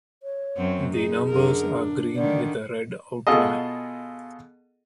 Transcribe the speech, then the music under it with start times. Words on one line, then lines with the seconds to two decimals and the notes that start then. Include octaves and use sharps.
The numbers are green with a red outline.
0.23 C#5
0.56 F#2 F#3 C4
0.93 D#4 G#4
1.29 F#2 D3 A#4
1.76 D4
2.16 D3 D#3 D5
3.27 B2 F4 G#4 A4 D#5